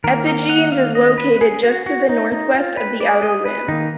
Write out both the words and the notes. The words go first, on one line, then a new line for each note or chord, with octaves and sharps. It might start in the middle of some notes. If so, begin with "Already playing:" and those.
Epigenes is located just to the northwest of the outer rim.
D#3 A#3 A#4
A#4
F#5
F5
D#5
B4
G#4
F#4
F#4
D#4
D#4
F4
B4
D5
D#5
B4
D#3 A#3 D#4